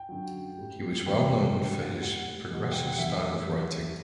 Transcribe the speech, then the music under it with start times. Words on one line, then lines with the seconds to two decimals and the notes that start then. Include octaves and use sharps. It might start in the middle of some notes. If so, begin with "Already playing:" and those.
He was well known for his progressive style of writing.
Already playing: G5
0.09 F#2 D3 F#3
0.57 A2 G3
1.06 E2 C3 E3 G5
1.54 G2 F#3 A3
2.02 A2 G3 F#5
2.51 E2 B2 G3
2.72 G5
2.86 F#5
2.99 E2 D3 A3 E5
3.47 F#2 E3 G3